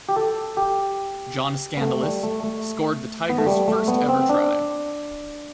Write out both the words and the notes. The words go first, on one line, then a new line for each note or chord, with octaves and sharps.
John Skandalis scored the Tigers' first ever try.
G4
A4
G4
B3
A3
G3
A3
A3
B3
A3
G3
A3
B3
C4
D4